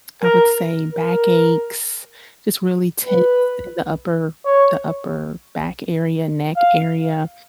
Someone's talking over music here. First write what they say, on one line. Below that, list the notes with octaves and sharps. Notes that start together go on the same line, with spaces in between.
I would say backaches, just really tense in the upper the upper back area, neck area,
A#4
A#4
B4
C#5
F5